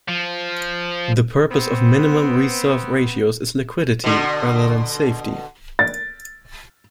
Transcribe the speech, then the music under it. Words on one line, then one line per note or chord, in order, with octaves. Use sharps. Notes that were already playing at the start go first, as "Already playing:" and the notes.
The purpose of minimum reserve ratios is liquidity rather than safety.
F3
B3 C4
B2 D3
A6